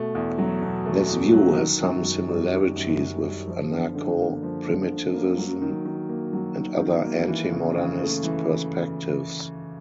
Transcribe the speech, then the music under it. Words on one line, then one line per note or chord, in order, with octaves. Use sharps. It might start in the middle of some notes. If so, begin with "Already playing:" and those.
This view has some similarities with anarcho-primitivism and other anti-modernist perspectives.
Already playing: B2 A3
E2
F#3
B2
A3
E2
F#3
D#3
F#2
F#2
G3
D#3
F#2
F#2
G3
F3
D3
D3
A#3
F3
D3
D3
A#3
F#3
D#3
D#3
A#3
F#3
D#3
D#3
A#3
E3
C#3
C#3
A3
E3